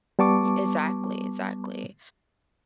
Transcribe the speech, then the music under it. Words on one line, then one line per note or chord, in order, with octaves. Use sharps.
Ye exactly, exactly,
G3 B3 A5 C#6 D6